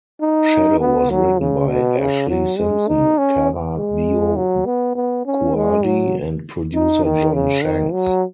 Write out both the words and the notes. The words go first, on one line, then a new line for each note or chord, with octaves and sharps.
"Shadow" was written by Ashlee Simpson, Kara DioGuardi and producer John Shanks.
D#4
B3
F#3
C#3
B2
C#3
F#3
G#3
D#4
C#4
G#3
F#3
B3
B3
C#4
G#3
F#3
D#4
D#3
C#3
D#3
F#3